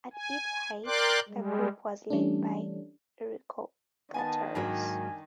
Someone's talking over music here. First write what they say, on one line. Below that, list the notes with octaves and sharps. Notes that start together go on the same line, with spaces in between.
At its height, the group was led by Eurico Guterres.
G#5
A#4 D5 G5 C6 D6 F#6
G3 G#3
E3 G3 A3 C#4 D4
D#3 B3 G#5 A5
G#2 F#3 A#3 D4 A#4 G#5 B5